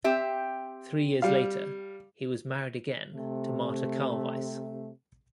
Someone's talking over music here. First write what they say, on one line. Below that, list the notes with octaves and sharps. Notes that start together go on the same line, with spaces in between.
Three years later he was married again to Marta Karlweis.
C4 G4 E5
G3 F5
C3 A3